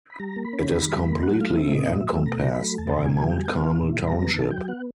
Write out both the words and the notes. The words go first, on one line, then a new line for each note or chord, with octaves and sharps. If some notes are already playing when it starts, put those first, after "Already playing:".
It is completely encompassed by Mount Carmel Township.
B5
G3 A#5
A#3
B5
C#4
D#3 B5
G3
A#3
F#3 F#5
A3 F5
C4 E5
A#2 D#5
F#3
E5
A3
B2 A#5
F#3
B5
A3
E2 A5
B2
G#5
F#3
G3 G5
G#5
B3 G5
F5
E4
A#2
G3 B5
A#5
B3
D#3 A5
F#3 G5
B3 F#5